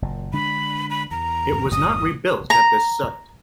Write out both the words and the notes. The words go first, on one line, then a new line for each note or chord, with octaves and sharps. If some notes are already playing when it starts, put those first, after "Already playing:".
It was not rebuilt at this site.
F#1 A#2
D3 G#3 D4 B5
B5
E2 A#5
G1 E2 A#2 D#6
A#5